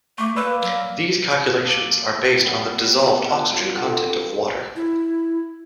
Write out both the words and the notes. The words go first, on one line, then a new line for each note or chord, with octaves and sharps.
These calculations are based on the dissolved oxygen content of water.
A3 C#6 D6
A#3 B4 D5 B5 E6
F#3
A#3 A4
E3 G3 B3
E4 F4 A#4 B4
D3 C4
E4